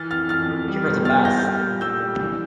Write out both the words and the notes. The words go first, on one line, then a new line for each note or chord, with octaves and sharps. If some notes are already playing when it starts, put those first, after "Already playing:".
You’re the best!
Already playing: E3 F6 A6
F2 F6 A6
F2 F6 A6
F2
G3
E2
E2 F6 A6
E2 G6 A#6
G3
A#2
G3 E6 G6
G3
E3